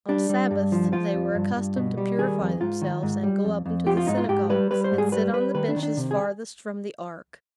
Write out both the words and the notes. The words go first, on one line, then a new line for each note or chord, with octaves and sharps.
On Sabbaths they were accustomed to purify themselves, and go up into the synagogues, and sit on the benches farthest from the ark.
G3 D4
G3
G2
F3
F3 F4
F2
G2
G2
B2
G3
D#3 G#4
F2
G#2 F4
D#3
G#2
G3
F2
F2
F3 G4
F4
G#2 D#4
F4
G#2 G4
G3 B4
G3 B4
C5
G#2
G#4
G3 B4
G3 B4
D#3 B4
D4
D#3
D4
C3
G#4